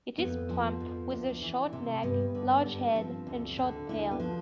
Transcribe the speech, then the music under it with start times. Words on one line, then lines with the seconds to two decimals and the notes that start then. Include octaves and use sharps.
It is plump, with a short neck, large head, and short tail.
0.18 F2 B3
0.50 F3
0.80 F2
1.11 D2
1.42 E3
1.73 C3
2.03 G2 B3
2.35 D3
2.66 G2
2.96 F3 C4
3.27 D2
3.58 D3
3.89 D2 E4
4.11 B3
4.20 F3